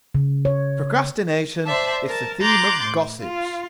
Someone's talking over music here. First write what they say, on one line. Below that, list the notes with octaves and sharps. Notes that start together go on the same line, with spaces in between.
"Procrastination is the theme of gossips."
C#3
C#5
C5 D5 E5 A5
A#4 A5
A#5 C6 D6 F#6 G6 A6
A2
F4